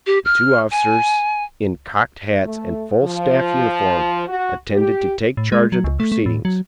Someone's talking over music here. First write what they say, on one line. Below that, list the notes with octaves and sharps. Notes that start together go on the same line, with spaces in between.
The two officers, in cocked hats and full staff uniform, attended to take charge of the proceedings.
G4
F6
G#5
A3
F3
F#4
G4
A2
G#3
F#3
C#2
A3
A3
A2
F#3